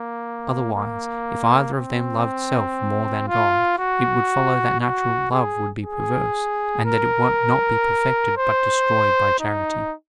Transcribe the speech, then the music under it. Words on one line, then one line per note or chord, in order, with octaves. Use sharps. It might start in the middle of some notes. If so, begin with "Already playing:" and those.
Otherwise, if either of them loved self more than God, it would follow that natural love would be perverse, and that it would not be perfected but destroyed by charity.
Already playing: A#3
A#3
C4
F4
F#4
F#4
G#4
G#4
A#4
C5
D#4